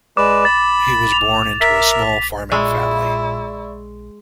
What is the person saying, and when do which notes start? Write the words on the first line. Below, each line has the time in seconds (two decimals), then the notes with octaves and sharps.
He was born into a small farming family.
0.17 G#3 B4 D5 D6
0.45 B5 A6
1.12 F7
1.61 A#4 E5 B6
2.52 A#2 G#3 E4 D5 C#6 E6